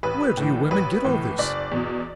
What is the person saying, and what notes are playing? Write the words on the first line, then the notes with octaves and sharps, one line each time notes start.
Where do you women get all this?
A1 B4
A2 E3
A1 B4
A2 E3
F#1 D5
E2 B2